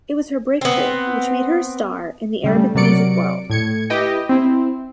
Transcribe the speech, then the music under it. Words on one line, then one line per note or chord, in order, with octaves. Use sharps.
It was her breakthrough, which made her a star in the Arabic-music world.
B3 C4
C#3 G3 A3
C3 F#3 A#4 D5 C#7 D7
A2 G#6 C#7
E4 G4 B4 D#5 G5
C4 E4